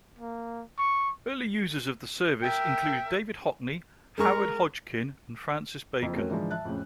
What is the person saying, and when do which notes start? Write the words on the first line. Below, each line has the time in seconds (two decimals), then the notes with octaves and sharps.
Early users of the service included David Hockney, Howard Hodgkin and Francis Bacon.
0.19 A#3
0.78 C#6
2.43 A#4 E5 G5
4.18 G#3 G#4 A#4 C#6
6.02 F#1 F2
6.14 A3 C4 C#4 F#4 A#4 C#5
6.30 G#2 D3 E3 F3 G#3
6.51 E5 A5 F#6
6.65 F2 A2 C#3